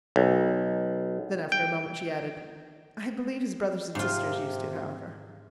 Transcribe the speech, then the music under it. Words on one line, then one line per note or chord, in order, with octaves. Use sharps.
Then, after a moment, she added: "I believe his brothers and sisters used to, however."
B1
G5
G#2 C3 F4